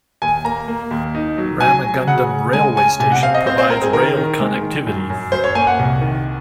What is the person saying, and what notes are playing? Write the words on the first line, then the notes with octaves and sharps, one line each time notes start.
Ramagundam railway station provides rail connectivity.
D#2 G#5
A#3 A#5
A#3
D#2
D#4
F#3
F#3 G#5
F#3
C#3 F#5
C#3
G#3 G#5
C#4 G#5
C3 G#5
F#5
C4 F5
D#5
C4 C5
C5
C4 A#4
G#4
D#3 A#4
D#3
G#3
D#3
F#2
F#2
F#2 C5
C#5
A#3 G#5
F#5
C2
D#3